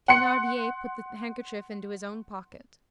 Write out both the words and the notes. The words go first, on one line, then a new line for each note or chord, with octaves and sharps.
Thenardier put the handkerchief into his own pocket.
F#5 C6 C#7